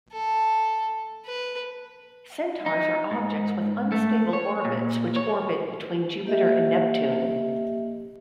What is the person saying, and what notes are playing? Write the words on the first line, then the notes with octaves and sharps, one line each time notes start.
Centaurs are objects with unstable orbits which orbit between Jupiter and Neptune.
A4
B4
D#4
G#2
A3
C#5
A#2
C#5
A#3 G4 D#5 E5